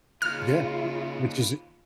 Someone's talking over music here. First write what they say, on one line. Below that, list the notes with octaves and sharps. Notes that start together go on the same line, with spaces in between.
Yeah. W which is it
D#2 C#3 B3 F4 F6